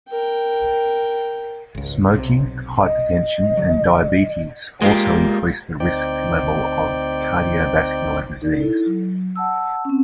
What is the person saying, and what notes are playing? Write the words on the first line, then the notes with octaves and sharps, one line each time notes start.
Smoking, hypertension and diabetes also increase the risk level of cardiovascular disease.
A#4 G5
G#1 C#2
B1 C3
D#5
D3 F#3
G#3 A#3 F4 G4
D2 C4 D#4 D5 G5
D#4 A#4 D5
E4 A4
F#3
F#5 A5 E6
C4 C#4